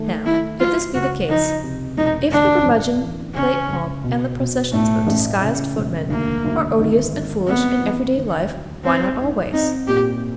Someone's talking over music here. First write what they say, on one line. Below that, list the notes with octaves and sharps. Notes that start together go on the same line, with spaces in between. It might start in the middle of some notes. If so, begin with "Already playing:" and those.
Now, if this be the case; if the Brummagem-plate pomp and the processions of disguised footmen are odious and foolish in everyday life, why not always?
Already playing: D#3 A3
A3 E4
F#3 F4
C#2 F#4
F3 D#4
C3
E1 D#4
D2 D4
A1
E3
C#3 C#4
C#2
B2
B2
A2 A3
A1
C#3
E1
D2 A#3
D2
G#1
G#1
B3 C4
E3
D2
F#3
G#2 C4
G#2
C4 D#4
A#2 G4